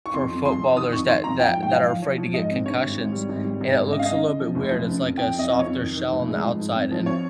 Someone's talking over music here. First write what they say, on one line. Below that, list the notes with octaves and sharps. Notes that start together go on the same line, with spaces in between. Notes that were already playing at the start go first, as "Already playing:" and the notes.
for footballers that that that are afraid to get concussions, and it looks a little bit weird, it's like a softer shell on the outside, and
C#6
F2 C6
F2
F2 C6
F2
D#3 D#6
F2 C#6
D#3 C6
F2 A#5
F3 G5
G#2
G5
F3 F5
F3
F3 C#5
F3
G#2 D#5
C4
G2 C#5
G#1
G#1
G3
G#1
G3
G#1
G#1
C#3 D#5
F5
C#3 D#5
C#3
F3
F1
F3
C#3
F2
F2 G5
F2
D#5
F2
C#5
F2
D#3
D#3
F1
G#3
F3
G#2
C4
F3
C4 C#5